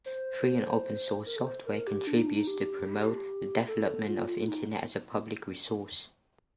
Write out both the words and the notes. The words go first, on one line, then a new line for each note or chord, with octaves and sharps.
Free and open source software contributes to promote the development of internet as a public resource.
C5
A#4
A4
C5
A#4
G4
D4
D#4
D4
D#4
G4
A4
F4
F4
D#4